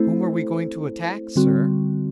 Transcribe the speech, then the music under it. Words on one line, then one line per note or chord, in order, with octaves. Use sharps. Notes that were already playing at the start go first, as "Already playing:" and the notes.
"Whom are we going to attack, sir?"
Already playing: A3 C4 E4 A4 C5
D3 G3 C4 F#4